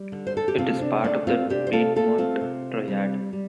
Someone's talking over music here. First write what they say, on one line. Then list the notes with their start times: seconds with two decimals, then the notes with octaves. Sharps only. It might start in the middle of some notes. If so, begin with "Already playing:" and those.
It is part of the Piedmont Triad.
Already playing: G3
0.12 D3
0.27 C5
0.37 A4
0.48 G4
0.58 C3 C4 F4
0.81 D4
1.04 A3 D4
1.27 C4 F4
1.50 C3 D4 G4
1.67 C5
1.73 F4 A4
1.96 A3 F4 A4
2.18 C4 F4
2.41 C3
2.88 G3
3.33 G3